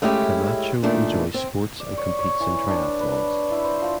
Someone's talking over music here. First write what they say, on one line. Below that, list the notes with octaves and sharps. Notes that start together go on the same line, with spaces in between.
Camacho enjoys sports and competes in triathlons.
G#3 A3 C#4 E4 G4
A#2 D#3 A3 D4
C4
D5
C#5
C#5
E3
D4
B4
E4
C5
F3